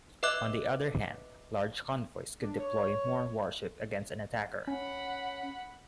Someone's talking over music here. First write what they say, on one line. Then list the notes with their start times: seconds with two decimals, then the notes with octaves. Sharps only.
On the other hand, large convoys could deploy more warships against an attacker.
0.23 B4 D#5 E5 D6 F#6
2.41 D4
2.59 C#5
4.68 C#4 F#5 B5